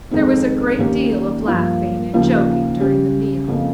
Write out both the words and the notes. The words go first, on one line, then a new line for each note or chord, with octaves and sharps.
There was a great deal of laughing and joking during the meal.
F2 D#3 G#3 C4 D#4
D#2 D#3 A#3 C#4 G4
G2 F3 A#3 F4
D#2 C#3 F3 A#3 F4
C#3 G3 C#4 G4
F2 C#3 F3 A#3